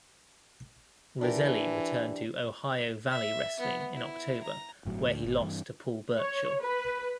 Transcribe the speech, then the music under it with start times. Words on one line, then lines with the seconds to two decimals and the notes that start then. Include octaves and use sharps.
Roselli returned to Ohio Valley Wrestling in October where he lost to Paul Burchill.
1.21 E3 D4 G4 A#4
3.10 E5
3.60 B3
3.95 E4
4.42 A#5
4.85 G1 A2 F#3
5.07 D2
5.25 G#1
5.41 G2 E3
6.18 C#5
6.62 B4